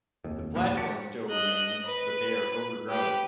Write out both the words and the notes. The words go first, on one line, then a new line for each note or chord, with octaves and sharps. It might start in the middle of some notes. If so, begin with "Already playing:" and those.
The platforms still remain but they are overgrown.
F1 D#2
A#2 E3 F3
F#4 G4 A4
D#5 F#6
B4
G4 B4